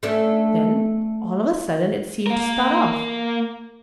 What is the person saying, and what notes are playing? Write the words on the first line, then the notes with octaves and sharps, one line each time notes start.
Then, all of a sudden, it seemed to start off.
A3 C#4 D4
A#3 A#4